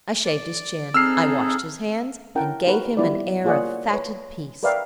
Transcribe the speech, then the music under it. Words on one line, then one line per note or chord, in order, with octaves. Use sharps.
I shaved his chin, I washed his hands, and gave him an air of fatted peace.
D5
C4 D#4 G#4 A4 E6 F6 C7
C#4 E4 A#4 F#5 G5 A5
D#4 F#4 A#4 B4
G3 B3 E4 F4 A#4 D5
A#3 F4 G#4 C#5 D5 F#5
B4 C#5
A#4 B4 D5 E5 F5 G5